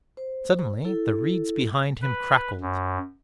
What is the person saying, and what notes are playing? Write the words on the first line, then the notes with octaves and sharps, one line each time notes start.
Suddenly the reeds behind him crackled.
C5
E4 A4
B4
F#2